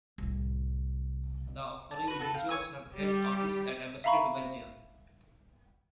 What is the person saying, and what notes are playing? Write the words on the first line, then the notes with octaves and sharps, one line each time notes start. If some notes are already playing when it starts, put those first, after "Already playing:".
The following individuals have held office as Ambassador to Belgium.
C2 A2
A5
F#4 B4
F#4 A4 A5
F5 G5
C#5 G#5 E6
G3 G4
E5 F5 A#5 B5 C#6